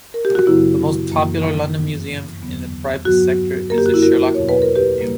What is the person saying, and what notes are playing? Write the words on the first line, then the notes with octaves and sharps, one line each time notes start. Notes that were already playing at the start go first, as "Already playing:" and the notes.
The most popular London museum in the private sector is The Sherlock Holmes Museum.
A#4
G4
F#4
F#2 C#3 F#3 B3 E4
F#2 E3 A#3
G2 E3 B3
E2 D3 F#3 B3
G2 F#3 B3 F#4
F#2 D3 A#3 A#4
G4
F#4
E4 G4
F#4 A#4
E2 B2 F#3 B3 C#5
B4
A#4
G4 B4
C#3 G3 A#3